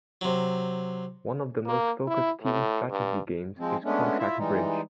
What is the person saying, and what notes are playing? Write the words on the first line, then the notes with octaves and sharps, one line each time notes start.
One of the most focused team strategy games is contract bridge.
C3 F#3
A#3
E4
A2
G2
F3 G#3 C4
G#3 A3 B3 C#4 D4
E4 F4 E5
E3 G3 G#3 D#4